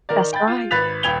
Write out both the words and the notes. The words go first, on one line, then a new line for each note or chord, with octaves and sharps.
That's right.
D#3 A#4 D5
G5 B5 G6 A6
F4
G#1 B4 F#6 A6 B6 F7
D#1 B4 G5 G#6 F7 G7